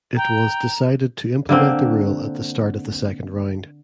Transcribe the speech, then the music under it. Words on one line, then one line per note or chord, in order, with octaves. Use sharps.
It was decided to implement the rule at the start of the second round.
G5 A#5
D3 A#3 C4